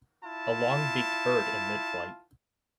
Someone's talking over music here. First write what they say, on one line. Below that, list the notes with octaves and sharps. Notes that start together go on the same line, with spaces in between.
A longbeaked bird in midflight.
E4 F4 A5